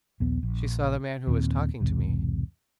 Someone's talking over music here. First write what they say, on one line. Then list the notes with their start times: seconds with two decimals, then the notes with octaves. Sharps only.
She saw the man who was talking to me.
0.20 A#1 D#2 B3
0.43 A#1
1.27 D#2 A#2 C4
1.80 B1 E2 G#2 C3